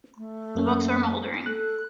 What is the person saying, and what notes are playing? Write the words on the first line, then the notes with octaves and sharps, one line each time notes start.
The books were mouldering.
A3
F#2 A#3 C#4
A4 F#6